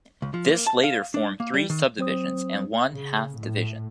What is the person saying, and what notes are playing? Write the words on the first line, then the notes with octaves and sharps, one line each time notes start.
This later formed three sub-divisions and one half-division.
C#2
F3
A#3
A5
F5
D4
A#3
G3
D#3
F#3 C4 C5 D#6
C#3
A2